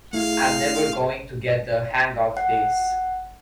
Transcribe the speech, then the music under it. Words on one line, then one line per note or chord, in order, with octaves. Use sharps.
I’m never going to get the hang of this.
A3 E4 G#4 F5
F#5